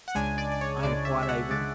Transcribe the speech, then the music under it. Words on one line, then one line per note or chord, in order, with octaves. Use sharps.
"I am quite able."
F#5
C#2 C#3 G#3 D4 G#5
D5
D5
C#5
C#2 C#3 G#3 D4 D5
E5
E5
F#5
C#3 G#3 D4 D5